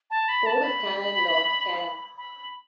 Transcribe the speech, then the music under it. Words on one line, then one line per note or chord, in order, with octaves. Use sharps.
"Code of Canon Law", can.
A5
B5
A5
B5
B5